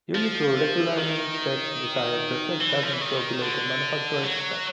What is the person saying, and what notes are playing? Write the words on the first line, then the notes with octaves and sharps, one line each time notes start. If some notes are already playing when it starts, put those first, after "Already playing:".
You need to regularly check the tire pressure doesn't go below the manufacturer's spec.
F3
D#3
E3
F3
E3
D#3
D3
F#3